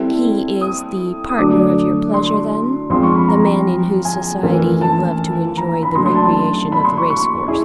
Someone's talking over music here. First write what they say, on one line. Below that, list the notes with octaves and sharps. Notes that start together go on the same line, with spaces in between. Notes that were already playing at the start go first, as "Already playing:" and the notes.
"He is the partner of your pleasure then;--the man in whose society you love to enjoy the recreation of the race-course."
Already playing: G3 C4 E4 A4
D#6
D#6
D3 F#3 A3 D4 D6
C6
F3 G#3 C4 F4 C6
C#6
B5
A#5
G#5
E3 A3 C#4 F4 A#4
A5
A#5
B5
C#3 F#3 A3 D4 C6
C6
A5
A5
B5
C6
C#6
C#6
C#4 E4 G#4